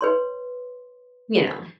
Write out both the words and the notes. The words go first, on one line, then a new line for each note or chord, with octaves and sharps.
you know
B4 C#5 C6